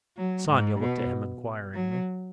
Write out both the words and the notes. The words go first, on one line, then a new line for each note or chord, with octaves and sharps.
Sonia looked at him inquiringly.
F#3
G#2
B2
F#3